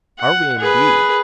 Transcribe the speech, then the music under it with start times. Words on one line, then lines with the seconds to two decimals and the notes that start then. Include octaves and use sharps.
"Are we, indeed?"
0.19 F#5
0.58 G#4 B4